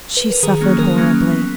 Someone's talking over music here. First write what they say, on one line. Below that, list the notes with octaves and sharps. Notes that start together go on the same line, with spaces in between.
She suffered horribly.
B4
A#4
D#3 G#4
F#3 A#3 C#4
D#3 A#4
F#3 A#3 C#4
F#3
B3